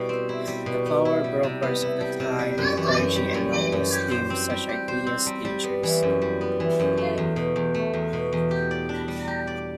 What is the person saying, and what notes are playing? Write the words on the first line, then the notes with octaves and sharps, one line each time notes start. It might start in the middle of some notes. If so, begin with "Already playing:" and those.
The power brokers of the time, the clergy and nobles, deemed such ideas dangerous.
Already playing: B2 G3 E4
C4
E4
G3
B2
B3
E4
G3
C3
B3
E4
G3
C3
G3
F#2
E3
F#2
G3
F#2
E3
F#2
G4
C5
C4
G3
G4
C5
C4
G3
G3
B3
E3
F#2
G3
B3
E3
F#2
A3
E2
B2
E2
A3
E2
B2
E2
G4
D5
D4
G3
G4
D5